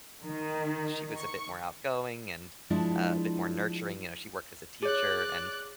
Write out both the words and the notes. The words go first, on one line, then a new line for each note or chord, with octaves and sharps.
she was a bit more outgoing and, uh, a bit more nurturing. You know, she worked as a teacher and
D#3
C#6
F3 G#3 D4 E4
G#4 C#5 D5 F#6